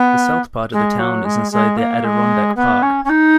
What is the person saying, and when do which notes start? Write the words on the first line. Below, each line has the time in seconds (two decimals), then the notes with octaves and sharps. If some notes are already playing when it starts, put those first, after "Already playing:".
The south part of the town is inside the Adirondack Park.
Already playing: B3
0.72 G#3
0.99 F#3
1.24 G#3
1.51 G#3
1.77 A#3
2.04 G#3
2.56 B3
2.82 C#4
3.04 C#4
3.09 D#4